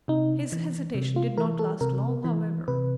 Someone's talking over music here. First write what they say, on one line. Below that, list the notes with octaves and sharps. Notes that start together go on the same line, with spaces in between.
His hesitation did not last long, however.
C3 D#4
E3
C3
F4
E3 A#4
A4
C3 A#4
E3
C3 B4